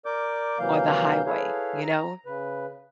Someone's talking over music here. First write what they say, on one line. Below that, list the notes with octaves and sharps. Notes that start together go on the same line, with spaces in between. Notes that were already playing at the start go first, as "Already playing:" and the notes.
or the highway, you know?
A#4 D5 D6 G6
C3 E3 F#3 A#3 F5 G6
E4 G#4 A4 B4 C#5 F5
A#5
C#3 B4